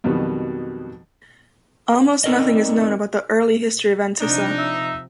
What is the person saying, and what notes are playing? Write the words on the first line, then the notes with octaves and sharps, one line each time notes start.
Almost nothing is known about the early history of Antissa.
F2 B2 D#3 F#3 G3
C4 D#4 A4 A#4 D5 D#5
C3 F3 D4 D#4
E5